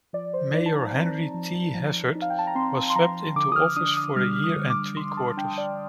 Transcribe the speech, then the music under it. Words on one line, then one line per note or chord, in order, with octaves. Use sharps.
Mayor Henry T. Hazard was swept into office for a year and three quarters.
F3 D5
C5
D#4 D5
A5
A#5
C4
F3
F3
D#4
F5
G5
A5
A#5
C4 C6
C6
F3 A#5
D3 D6
D#6
F6
D4 D#6
D#6
G3 F6
F6
D#6
D3
D6
D3 C6
A5
D4 G5
D5